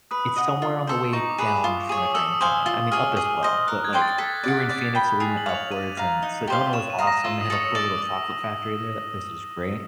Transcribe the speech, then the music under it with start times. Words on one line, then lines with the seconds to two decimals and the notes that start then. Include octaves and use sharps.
it's somewhere on the way down from the Grand Canyon, I mean, up as well, but, like, we were in Phoenix, so we went upwards, and Sedona was awesome, they had a cool little chocolate factory there, that place was great.
0.11 B4 D#6
0.36 D#5 F#5
0.62 F4
0.87 A4 C5
1.13 D#4 C#6
1.30 D6
1.38 G#4 B4
1.46 D6
1.64 F4 D6
1.81 D6
1.89 G#4 C#5
1.98 D#6
2.14 A4 E6
2.32 D#6
2.41 C5 F5 G#5
2.49 D#6
2.66 F4 E6
2.91 G#4 C#5 F6
3.17 G#4
3.43 C5 D#5
3.67 A#4 F#6
3.84 G#6
3.93 D5 G5 C6
4.02 A6
4.18 A4 B6
4.43 D5 F#5
4.69 D5
4.95 G5 B5
5.20 G#4 F7
5.37 F#7
5.46 C#5 F5
5.54 F7
5.71 D5 D#7
5.97 F5 A#5
6.22 D#4
6.47 G4 C5 F5
6.73 C#5 E7
6.90 D#7
6.99 F5 A#5 D#6
7.07 A#6
7.24 F4 E6
7.41 D#6
7.50 A4 C#5
7.58 D#6
7.75 D5 E6